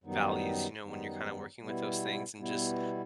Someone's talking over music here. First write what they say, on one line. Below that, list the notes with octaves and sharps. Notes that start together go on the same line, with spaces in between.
values, you know, when you're kinda working with those things and just
F#2 D#3 G3 B3 D#4
F#2 D#3 G3 B3 D#4
B2 G3 B3 E4
B2 G3 B3 E4